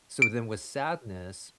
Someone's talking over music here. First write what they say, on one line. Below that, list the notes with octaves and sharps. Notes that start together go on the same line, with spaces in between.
so then with sadness,
D7